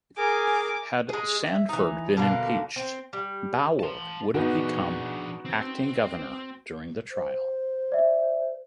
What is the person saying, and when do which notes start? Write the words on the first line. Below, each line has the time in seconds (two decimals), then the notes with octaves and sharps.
Had Sanford been impeached, Bauer would have become acting governor during the trial.
0.18 G#4 A#4 G#5 D6
1.09 G#3 G#4
1.43 D5 E5
1.69 E3 D#4
2.17 B2 D3 A3 A#3
2.76 C4
3.13 G3
3.80 A5 C6
4.35 B3 D4 D#4 F#4 G#4 F#5
5.45 C4
7.12 C5
7.92 D5 E5